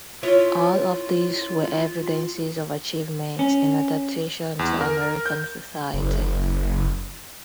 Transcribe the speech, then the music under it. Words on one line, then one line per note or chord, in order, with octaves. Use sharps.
All of these were evidences of achievements in adaptation to American society.
C#4 E4 F4 C#5
C#4
E2
A#4
G6
F#1